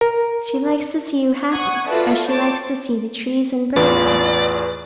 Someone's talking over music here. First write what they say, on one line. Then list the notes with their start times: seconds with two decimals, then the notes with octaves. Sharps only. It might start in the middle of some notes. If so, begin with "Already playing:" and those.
She likes to see you happy, as she likes to see the trees and birds happy.
0.01 A#4
1.52 F#5 C#6 D#6 G#6
1.87 F4 F#4 A4 B4 D5 E5
2.26 C5 C#5 A5 D6
3.76 A1 E2 F4 B4 D5